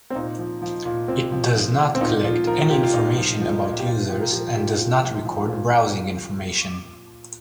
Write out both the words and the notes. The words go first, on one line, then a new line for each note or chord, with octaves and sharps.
It does not collect any information about users and does not record browsing information.
C4
A#2 D#4
F3
F3
A#2
A#2 C4
F3
F3
A#2
C4
A#2 D#4
F3 F4
F3 A#4
A#2 G4
F4
A#2 D#4
F3
F3
A#2
G4
A#2 F4
F3 G4
A#4
F3 G4
A#2 G4
A#2
F3
F3
A#2